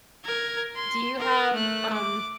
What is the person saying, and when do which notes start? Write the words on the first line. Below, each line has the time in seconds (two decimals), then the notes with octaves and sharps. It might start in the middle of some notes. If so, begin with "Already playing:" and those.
Do you have, um,
0.25 A#4 G#6
0.76 C6
1.18 A#4
1.53 A3 F#6
1.93 D6